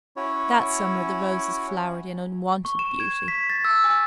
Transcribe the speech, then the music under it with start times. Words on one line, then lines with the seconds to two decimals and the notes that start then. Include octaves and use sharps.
That summer the roses flowered in unwonted beauty.
0.16 C#4 E4 F#4 C#5
2.65 C#6
2.79 E7
3.00 G#6
3.28 B6
3.50 A6
3.65 E6
3.84 G#5